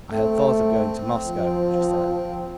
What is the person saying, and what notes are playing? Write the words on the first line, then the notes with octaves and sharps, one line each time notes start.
"I had thought of going to Moscow," she said.
A3 C4
F3